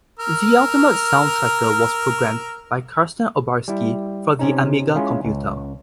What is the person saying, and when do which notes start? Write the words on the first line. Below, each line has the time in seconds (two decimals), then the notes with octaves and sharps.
The Ultimate Soundtracker was programmed by Karsten Obarski for the Amiga computer.
0.19 A#4 E6 F6
3.68 G3 E4
4.39 C3 C#4 D#4
4.95 G#3 C#4 E4 F4
5.25 C#2